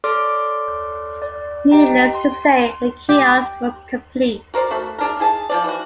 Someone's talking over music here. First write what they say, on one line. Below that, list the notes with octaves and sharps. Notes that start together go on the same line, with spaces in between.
Needless to say, the chaos was complete.
A4 C#5 D5 C6 D6 F6
D5
G4 D#5 G5 A#5
C6
G4
F#4 A#4 C5 D5
A3 F#4 E5
G#3 D4 A#4
E4 G#4 A5
F3 D4 D5
E3 F#4